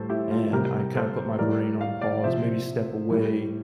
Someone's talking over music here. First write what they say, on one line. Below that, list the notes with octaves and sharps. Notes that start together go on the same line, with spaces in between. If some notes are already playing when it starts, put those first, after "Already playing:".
and I kinda put my brain on pause, maybe step away,
Already playing: A2 G3 A4 C5
E4 G4
F4 A4
C3 G3 G4 A#4
A4 C5
A2 E3 G3 A#4 D5
F5
D5 F5
C3 F3 C5 E5
A2 E3 G3